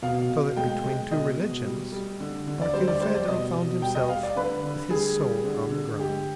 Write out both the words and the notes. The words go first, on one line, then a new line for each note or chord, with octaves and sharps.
So that between two religions, Barkilphedro found himself with his soul on the ground.
B2 F5
B2
G#3 G5
G#3
B2 D#5
B2
G3
G3
D3
D3
D5
G3 C5
D5
G3 C5
D5
B2 D#5
B2
G3 G5
D#5
G3 F5
D5
D3 B4
D3
G3 G#4
G3
D3
D3
G#3 G4